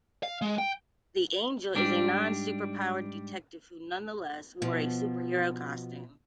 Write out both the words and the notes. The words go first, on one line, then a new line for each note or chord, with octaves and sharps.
The Angel is a non-superpowered detective who nonetheless wore a superhero costume.
F5
G#3
G5
G#2 G3 D4
B2 F3